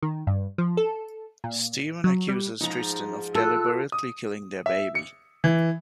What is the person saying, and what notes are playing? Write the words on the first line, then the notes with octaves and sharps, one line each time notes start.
Stephen accuses Tristen of deliberately killing their baby.
D#3
G2
F3
A4
A#2
F#3
G3
G#2 F3 D#4 A#5
F4 A4 E6 F#6
D#6
E5
C#7
E3